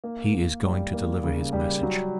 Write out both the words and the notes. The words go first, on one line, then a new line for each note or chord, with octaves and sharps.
He is going to deliver his message.
A#3
A#3
G3
A#3
C#3
G3
F#3